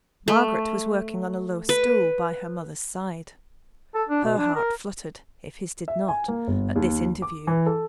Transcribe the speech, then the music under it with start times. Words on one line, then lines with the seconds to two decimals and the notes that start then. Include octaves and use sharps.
Margaret was working on a low stool by her mother's side. Her heart fluttered, if his did not, at this interview.
0.28 A3
1.69 B4
3.95 A4
4.09 D4
4.24 B2
4.37 D4
4.55 A#4
5.88 E5
6.08 G#5
6.28 A#3
6.48 G1
6.76 D#2
7.22 D6
7.47 E3
7.66 A4